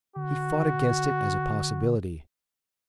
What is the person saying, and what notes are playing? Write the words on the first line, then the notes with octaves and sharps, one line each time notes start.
He fought against it as a possibility.
D3 F#4